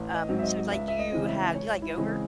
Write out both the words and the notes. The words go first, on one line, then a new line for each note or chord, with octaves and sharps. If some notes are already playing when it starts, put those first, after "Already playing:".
Um, so like, do you have do you like yogurt?
Already playing: A1
D#5
G#2 F#3 C4
E5
D#5
C#2 E5
E5
D#5
C#3 E3 G#3 C4
E5
C#2 C#5
E4
C#3 E3 G#3 C4
G#4